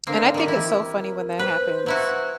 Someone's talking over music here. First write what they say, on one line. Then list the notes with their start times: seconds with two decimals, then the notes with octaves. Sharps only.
And I think it's so funny when that happens.
0.07 D3 A#3 C4
0.34 D#3 G3
0.48 E3 E4
0.72 A#4
1.39 B4 C5
1.86 F#3 E4 F#4